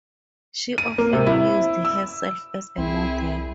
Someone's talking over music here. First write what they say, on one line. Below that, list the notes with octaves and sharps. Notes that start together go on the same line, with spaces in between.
She often used herself as a model.
D#7
A#3
C3
E4
E6
C2 C4 E4 G#4